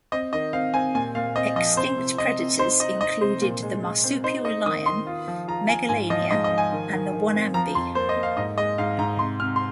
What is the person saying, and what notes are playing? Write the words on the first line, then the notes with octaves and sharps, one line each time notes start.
Extinct predators included the marsupial lion, Megalania, and the wonambi.
C4 D#5
D#3 D#5
C4 F5
C4 G#5
A#2 G#5
A#2 F5
C4 D#5
F3 D#5
C3 C5
C3
C3 D#5
C3
D#4 C5
D#4 D#5
D#4 D#5
C3 C5
A#2
G#3
G#3
C4
D#4 C5
D#4 D#5
D#3 D#6
D#3 C6
F4
F3
F4 A#5
F4 G#5
G#2 G#5
F3 D#5
G#2 D#5
D#5
F3
G#5
D#3
D#3
D#3
C4
F3 A#5
F2 C6
A#3 C5
D#5
A#3
F5
G#2 D#5
G#3 D#5
G#2 F5
G#2 A#5
C3 C6
C3 F6
C6